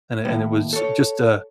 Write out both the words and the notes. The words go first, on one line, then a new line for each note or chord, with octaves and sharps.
And it and it was just a
D#2 A2
A4 C#5